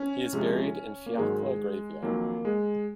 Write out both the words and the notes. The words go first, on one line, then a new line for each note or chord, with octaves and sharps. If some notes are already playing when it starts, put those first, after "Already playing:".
He is buried in Fiacla graveyard.
Already playing: C#4
F2 C3 F3 G#3
A#3
G#2 D#3 F#3 G#3
F2 D#3 F#3 A#3
G#3